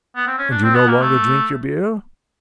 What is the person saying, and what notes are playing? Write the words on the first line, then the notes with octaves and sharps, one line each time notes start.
"And you no longer drink your beer?"
B3
C4
C#4
D4
C4
B3
A#3
A3